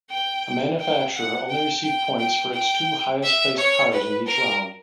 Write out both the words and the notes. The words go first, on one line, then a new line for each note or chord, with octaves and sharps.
A manufacturer only received points for its two highest placed cars in each round.
G5
G5
F#5
G5
G5
G5
G5
E5
C#5
B4
A#4